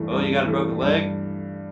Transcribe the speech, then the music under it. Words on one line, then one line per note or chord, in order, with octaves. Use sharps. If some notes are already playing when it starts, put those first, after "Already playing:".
"Oh, you got a broken leg?"
Already playing: G2 E3 A3
G2
E3 A3
G2